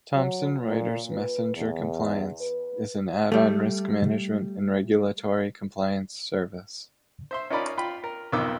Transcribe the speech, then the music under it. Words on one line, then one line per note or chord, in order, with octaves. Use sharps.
Thomson Reuters Messenger Compliance is an add-on risk management and regulatory compliance service.
F#3
A#2
B4
E2
B4
G3 A3
C5 E5 C6
C#4 D#4 F4 A#4 D5 B5
F4 G5 B5
A#4
B1 F2 B2 D#3 D6 E6